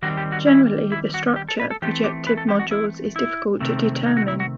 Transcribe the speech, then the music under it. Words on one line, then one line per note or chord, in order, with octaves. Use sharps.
Generally, the structure of projective modules is difficult to determine.
D#3 G3 C4 F#4
G4
F#4
E4
E4
F#4
G4
A4
B4
A4
E3 A3 C4 G4
G4
B4
A4
G4
F#4
E4
E4
C3 D#3 A3 C4
D#4
F#4
E4
F#4